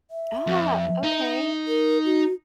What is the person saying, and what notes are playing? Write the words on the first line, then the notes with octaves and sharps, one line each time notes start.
Ah, okay.
E5
F2
D#4
A#4
F#4